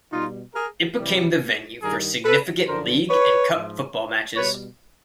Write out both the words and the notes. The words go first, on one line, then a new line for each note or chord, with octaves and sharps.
It became the venue for significant league and cup football matches.
B2 G3 D#4 F4
G#4 A#4
C3 E3 G3
G2 D#3 G3 G#4 A#4
A4 B4
F#2 D3 F3 A#4 C5
B4 C#5
G#2 F3
B2 G3 B4 C#5